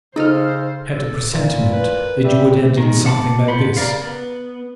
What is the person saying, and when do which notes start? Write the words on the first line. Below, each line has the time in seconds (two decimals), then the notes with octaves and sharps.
I had a presentiment that you would end in something like this.
0.16 C#3 D#4 A4 C5 D#5 F6
0.92 A4
1.33 A#2 E4
1.73 B4
2.24 G3 E5
2.78 D#3 G#3
3.06 F#5 A5 B5 D6
3.48 B3 C5 F#5 B5
3.77 C#3 C#4 A#4 D5 F5
4.02 B3